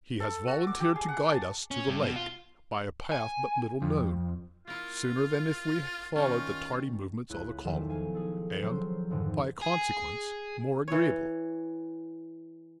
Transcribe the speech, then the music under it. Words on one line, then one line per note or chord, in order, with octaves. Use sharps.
"He has volunteered to guide us to the lake, by a path but little known, sooner than if we followed the tardy movements of the column; and, by consequence, more agreeably."
A4
F#4
D6
G4
G#4
F#5
A5
C#4
G2
B2
F4
G#5
F2
A#3 E4 F4
D#3 G3 C#4 F4
C#2 E4 F#6
B1 E2 D#3 F3 A4 E7
F5 G#5
G#4 A4
F3 F#3 C4 C5
F2 G#2 D3 D#3
G#4
E3 C#5